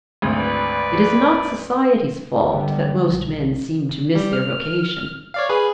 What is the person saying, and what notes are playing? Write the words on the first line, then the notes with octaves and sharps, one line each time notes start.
It is not society's fault that most men seem to miss their vocation.
G#1 D2
B4 D5
D3 G3 B3
B1
G3
F6
C#5 D5 F5
G#4 B4